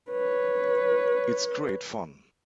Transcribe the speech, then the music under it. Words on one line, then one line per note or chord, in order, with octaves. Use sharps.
It's great fun.
B4 C#5